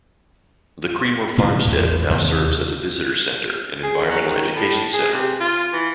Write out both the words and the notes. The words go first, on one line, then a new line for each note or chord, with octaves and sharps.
The Creamer farmstead now serves as a visitor center and environmental education center.
A2 C#3 E3 F3
A1 E2 A#2
D#2 C3
G#4
F#3
D#3
A2
G#4
C3
F4
E3